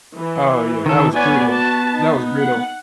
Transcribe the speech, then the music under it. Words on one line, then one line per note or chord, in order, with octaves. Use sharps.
Oh, yeah, that was brutal. That was brutal.
E3
D#3 A4
B3 C#5 D5 G#5
F#4 A5
D#4
F#5